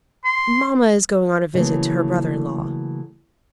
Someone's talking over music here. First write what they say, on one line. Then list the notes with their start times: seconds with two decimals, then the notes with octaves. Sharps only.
"Mamma is going on a visit to her brother-in-law."
0.24 C6
1.54 C#3 E3 F#3 A3 A#3